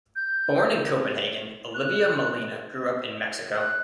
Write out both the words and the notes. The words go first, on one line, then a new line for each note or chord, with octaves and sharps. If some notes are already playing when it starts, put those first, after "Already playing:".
Born in Copenhagen, Olivia Molina grew up in Mexico.
G6
F#6
F#6